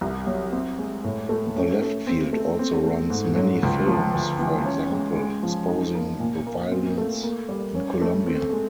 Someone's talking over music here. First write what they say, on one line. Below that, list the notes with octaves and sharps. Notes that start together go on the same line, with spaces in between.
The Left Field also runs many films, for example exposing the violence in Colombia.
C2
F#3
C4
G#3
A2
A3
C#4
A3
C4
A3
C4
A3
G#2
F#3
C#2
F3
D2
E3
C#4
G#3
G#3
F3
D#4
A#3
A#2
A#3
C4
A3
A#3
G3
C#4
A3
C4
G#3